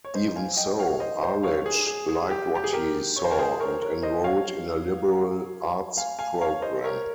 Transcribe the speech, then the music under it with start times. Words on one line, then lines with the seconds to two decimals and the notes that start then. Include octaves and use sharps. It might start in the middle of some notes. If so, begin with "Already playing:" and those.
Even so, Arledge liked what he saw and enrolled in a liberal-arts program.
0.05 C#5
0.14 C5 D#5
0.36 F5 G#5
0.57 D#5 G5
0.79 C#5 F5
1.00 C5 D#5
1.22 C5 D#5
1.43 C#5 F5
1.66 G#4
1.87 G#4
2.09 G#4
2.30 G4
2.55 G4
2.64 G#4
2.73 G4 A#4
3.16 C#5
3.25 C5
3.31 A#4 C#5
3.39 G#4 C5
3.60 A#4 C#5
3.82 A#4 C#5
4.03 C5 D#5
4.24 C#5 F5
5.97 F5 G#5
6.19 F5 G#5
6.41 C#5 F5
6.62 C5 D#5
6.84 A#4 C#5